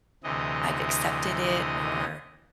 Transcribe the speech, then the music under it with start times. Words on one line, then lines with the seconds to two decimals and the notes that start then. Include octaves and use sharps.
I've accepted it, or,
0.24 D2 C3 E3 D#5